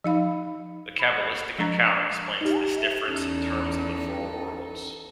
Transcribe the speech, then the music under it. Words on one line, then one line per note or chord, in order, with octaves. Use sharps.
The Kabbalistic account explains this difference in terms of the Four Worlds.
F3 D#4 F5 B5
B5
F3 G#3 D4 A#5
D#4 G4
E2 C#4 D#4 A4